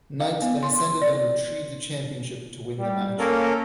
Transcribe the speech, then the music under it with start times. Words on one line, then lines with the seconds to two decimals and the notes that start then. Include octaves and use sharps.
Knight then ascended and retrieved the championship to win the match.
0.20 F5
0.42 B3
0.63 C6
0.79 C6
1.02 D5
2.79 G3
3.19 A#3 C#4 A4 A#4